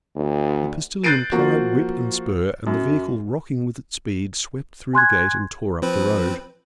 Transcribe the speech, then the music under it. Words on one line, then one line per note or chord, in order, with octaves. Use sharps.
The postillion plied whip and spur, and the vehicle, rocking with its speed, swept through the gate and tore up the road.
D2
F#6 G6 A6 C7 D7 D#7
F3 A#3 F#4
F#2
G#5 C6 F#6 G#6
F3 C4 B4